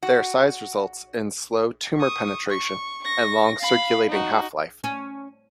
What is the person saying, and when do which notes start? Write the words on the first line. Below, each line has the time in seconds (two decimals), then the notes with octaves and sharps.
Their size results in slow tumor penetration and long circulating half-life.
0.03 F#4
1.96 C#6 D#6
2.51 C#6
3.04 C#6 A#6
3.59 F5 B5
4.09 D#4 F#4
4.84 C#4